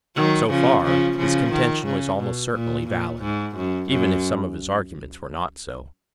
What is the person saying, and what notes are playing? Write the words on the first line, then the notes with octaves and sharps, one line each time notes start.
So far, his contention was almost certainly valid, even if some of his arguments were not so.
D#3 F#3
C#3 F3
C#3 F3
C#3 F3
D#3
C#3
B2
A#2
A#2
G#2
F#2
F#2